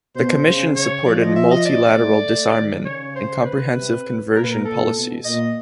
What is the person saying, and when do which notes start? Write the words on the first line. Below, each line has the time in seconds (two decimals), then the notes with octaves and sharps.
The commission supported multilateral disarmament and comprehensive conversion policies.
0.15 B2 C5
0.45 C#3
0.76 C#5
1.05 F3 D5
1.21 D#5
1.36 E5
1.51 D#5
1.65 D5
1.96 A3
2.25 A3
2.56 D#3
2.85 C#3 C#5
3.16 C5
3.45 B4
3.75 C3
4.35 A#2 A#4
4.44 B4
4.51 A#4
4.65 A#2 A4
4.95 B2
5.25 A#2 D#5